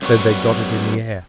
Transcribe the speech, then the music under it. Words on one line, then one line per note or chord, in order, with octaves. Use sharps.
Said they got it in the air.
F#2 F#3 G3 B3 C#5